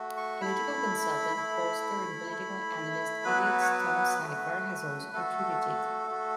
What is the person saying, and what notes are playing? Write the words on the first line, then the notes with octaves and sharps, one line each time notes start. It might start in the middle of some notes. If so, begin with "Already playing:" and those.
Political consultant, pollster, and political analyst Elliott Stonecipher has also contributed.
Already playing: A3 F#4
C#6
A3 E4 B5
A3 E4
A3 E4
F#3 B3 F#4 B4
C#5
B4
A3 F#4
A3 F#4 A4
A3 F#4